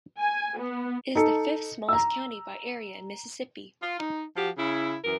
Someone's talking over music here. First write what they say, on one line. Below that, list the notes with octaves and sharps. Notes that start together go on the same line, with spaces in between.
It is the fifth-smallest county by area in Mississippi.
G#5
B3
D#4 A4 C#7
A#5 E6
F4
D#4
F3 F#4 G4
C#3 E4
F#2 E3 A#4